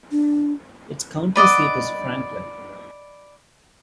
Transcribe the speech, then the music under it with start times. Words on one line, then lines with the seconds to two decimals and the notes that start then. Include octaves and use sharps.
Its county seat is Franklin.
0.12 D4
1.36 B4 D5 D#5 F#5